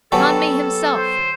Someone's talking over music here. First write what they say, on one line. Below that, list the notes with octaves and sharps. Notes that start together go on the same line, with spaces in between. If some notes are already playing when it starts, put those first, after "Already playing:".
Conmee himself!
F#3 B3 G4 A4 G#5 A5 C#6
C5